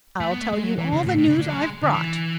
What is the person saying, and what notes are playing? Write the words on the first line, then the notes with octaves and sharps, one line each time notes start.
I'll tell you all the news I've brought.
A3
B3
A3
G#3
F#3
E3
C#3
A2
A2
C#3
D3
F#3
G#3
D3
E3